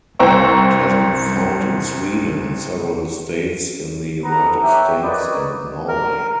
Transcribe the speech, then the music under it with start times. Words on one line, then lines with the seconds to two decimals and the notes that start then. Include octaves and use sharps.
It has been found in Sweden, several states in the United States and Norway.
0.19 C2 C5 G5 A#5 C#6 E6
4.24 B3 A4 B4 A#5
4.63 G4 C#5 E5 F#5 G5
5.04 D#4 A#4 B4 C#5 D5
5.88 A#4